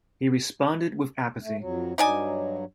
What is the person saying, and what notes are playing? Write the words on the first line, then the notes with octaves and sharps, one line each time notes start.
He responded with apathy.
A3
F2 F#3
G2 F#3 D#4 D5 G#5